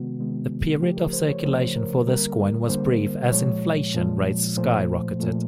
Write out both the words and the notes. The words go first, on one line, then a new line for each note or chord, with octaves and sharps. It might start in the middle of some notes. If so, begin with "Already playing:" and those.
The period of circulation for this coin was brief as inflation rates skyrocketed.
Already playing: C3 D#3 G#3 B3 F#4
C3 D#3 G#3 B3
C#3 F3 A3 G4
A#4
C5
C#5
C#3 F3 A3 C5
A#4
D3 G3 A#3 A#4
D3 G3 A#3 C5
A#2 F3 G#3 C#5
A#2 F3 G#3
A#2 F3 A3 C5
A#2 F3 A3